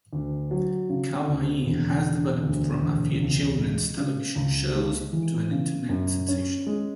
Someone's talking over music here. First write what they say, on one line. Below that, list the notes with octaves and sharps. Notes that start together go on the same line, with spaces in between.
Kawaii has developed from a few children's television shows to an Internet sensation.
D2
F#3
C#3
D2
E1
D3
D2
E1
C#2
G#3
C#3
C#2
G#3
E3
C#3
F#2
C#4
G#3